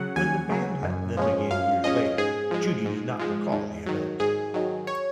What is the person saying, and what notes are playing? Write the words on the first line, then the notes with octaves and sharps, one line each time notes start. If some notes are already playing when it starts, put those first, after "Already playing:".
When the band met them again years later, Judy did not recall the event.
Already playing: C#3 F#3 F#5
D#2 G#5
C#3 F#3
F#2
F3 G#3 C#4
F#2 F5
F3 G#3 C#4 D#5
G#2 G#4
F3 G#3
G#2
F3 G#3
G#2
D#3 F#3
G#2 G#4
D#3 F#3
C#5